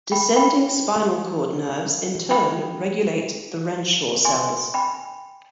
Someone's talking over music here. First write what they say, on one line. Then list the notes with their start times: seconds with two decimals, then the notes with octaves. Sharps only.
Descending spinal cord nerves in turn regulate the Renshaw cells.
0.12 G5 B5
0.36 G5 B5
2.31 G5 B5
4.25 G#5 C6
4.74 G5 B5